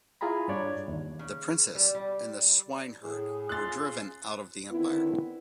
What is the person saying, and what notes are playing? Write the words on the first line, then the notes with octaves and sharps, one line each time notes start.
The princess and the swineherd were driven out of the empire.
E4 F4 G#4 G#5 A#5 B5
G2 D4 C#5 D5 G#6
D#2
C#3
G3
G3
A2 G#4
C#4 F4 C6 F#6 A6
D3 D#3 B3 C4 E4